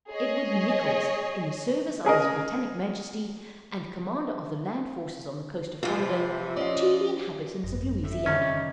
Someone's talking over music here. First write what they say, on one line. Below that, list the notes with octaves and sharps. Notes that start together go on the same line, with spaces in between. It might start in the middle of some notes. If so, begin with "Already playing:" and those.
Edward Nichalls, in the service of his Brittanic Majesty, and commander of the land forces on the coast of Florida, to the inhabitants of Louisiana.
G#4 C#5 D#5
C#4 G#4 A#4 D#5
F2 C3 E3 F3 F4 G4 G#4 F5
C#4 D5 D#5 F5
G#1 F#2 A#6
A2 E5
F2 D#3 G3 C#4 D#4